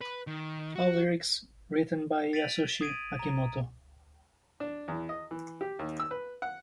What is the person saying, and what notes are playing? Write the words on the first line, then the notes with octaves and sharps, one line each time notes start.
All lyrics written by Yasushi Akimoto.
B4
D#3
F#4
A6 B6 D7 D#7 F7 F#7
D#6 G#6 D7 D#7
A#5
D4
E2
D#5
E3
G4
D#2
E6
B4
F#5